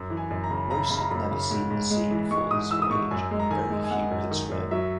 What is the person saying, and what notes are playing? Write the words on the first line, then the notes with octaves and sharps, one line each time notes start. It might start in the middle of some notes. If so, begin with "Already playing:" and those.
Most had never seen the sea before this voyage, and very few could swim.
Already playing: F#2
E3
G#5
F#2
A#5
C#3
C#3 A#5
B5
C#3
A#5
F#2
C#3
G#2
G#2
G#3
E3
G#3 C#6
G#2 D#6
E3 E6
D#6
G#2 C#6
F#2 G#5
G#3
A#5
D#3 G#5
G#3
G#5
G#3 F#5
F#2
D#3
F#2
F#3 E5